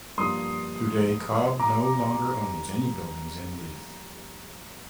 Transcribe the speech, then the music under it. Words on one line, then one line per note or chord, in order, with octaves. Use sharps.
Today, Cobb no longer owns any buildings in Leith.
G2 F3 A#3 D4 C6 D#6
A#5 D6